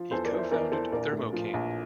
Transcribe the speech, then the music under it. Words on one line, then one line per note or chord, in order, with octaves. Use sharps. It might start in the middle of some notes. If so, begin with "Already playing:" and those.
He cofounded Thermo King.
Already playing: F3
E2 A4 C5
A#4 D5
E3
C5 E5
E2 A#4 D5
E3 A4 C5
A#1 A#4 D5
A2
F3
A#1